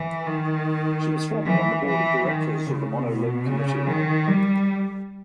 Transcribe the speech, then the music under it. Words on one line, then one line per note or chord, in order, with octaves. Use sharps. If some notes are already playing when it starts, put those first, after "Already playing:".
She was formerly on the Board of Directors of the Mono Lake Committee.
Already playing: E3
D#3
E3
E3
D#3
C#3
B2
C#3
D#3
G3